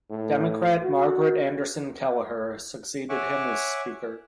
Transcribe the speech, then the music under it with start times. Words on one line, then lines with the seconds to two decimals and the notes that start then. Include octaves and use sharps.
Democrat Margaret Anderson Kelliher succeeded him as Speaker.
0.10 A2
0.83 F#4
3.09 C#5 E5 F#5 G#5 C#6 D6